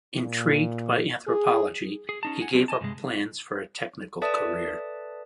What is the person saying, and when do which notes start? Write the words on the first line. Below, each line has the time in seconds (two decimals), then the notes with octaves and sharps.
Intrigued by anthropology, he gave up plans for a technical career.
0.22 A#2
1.27 G#4
2.09 G#4
2.23 C#4 D#4 A5
2.41 F#5 G#5
2.53 F#3 B3 C4 D4
2.68 D#5 G#5 A5
2.81 G2 C3 G#3
4.22 A4 B4 D5 E5 A5 D#6